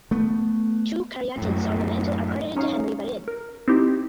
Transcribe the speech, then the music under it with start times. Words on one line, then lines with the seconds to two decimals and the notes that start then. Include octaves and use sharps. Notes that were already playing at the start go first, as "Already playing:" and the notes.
Two caryatids on the mantel are credited to Henri Varenne.
0.11 A3 B3
1.37 F#2 A2
2.57 C#4 D#4 C#5 F5
3.28 A#4
3.68 C4 D#4 E4 G4